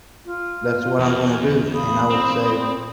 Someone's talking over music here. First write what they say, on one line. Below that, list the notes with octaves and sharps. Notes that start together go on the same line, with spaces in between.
that's what I'm gonna do," and I would say,
F4
E2
F5 B5 D#6
C4